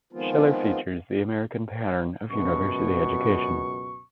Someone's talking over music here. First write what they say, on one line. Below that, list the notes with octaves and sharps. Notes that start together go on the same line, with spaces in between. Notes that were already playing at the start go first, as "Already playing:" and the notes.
Schiller features the American pattern of university education.
D#3 F3 G#3 B3 C4 F4
C#2 F#2 B2 C#6